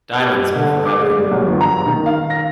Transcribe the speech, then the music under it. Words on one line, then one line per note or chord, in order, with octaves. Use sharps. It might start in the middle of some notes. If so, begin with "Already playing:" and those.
Diamonds are forever.
G4
D3
D6
G#3
G3
F#2
G1
A#5
D#3
F5
A#6